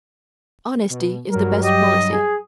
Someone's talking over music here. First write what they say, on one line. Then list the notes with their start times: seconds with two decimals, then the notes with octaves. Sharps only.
Honesty is the Best Policy.
0.90 B2
1.31 G2 F#3 G3 A#4
1.63 G4 D#5
2.12 G#4